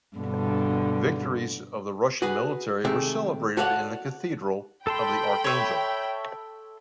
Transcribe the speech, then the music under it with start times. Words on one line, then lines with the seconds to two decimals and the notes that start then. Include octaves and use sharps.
Victories of the Russian military were celebrated in the Cathedral of the Archangel.
0.17 G2 B2 D3
2.22 F#4 G#4 B4
2.85 C3 D#3 G#3 A3 G4 E5
3.57 F#4 A4 C#5 D5 F5 F#5
4.87 A4 G5 A5 B5 C6
5.44 C#5 E5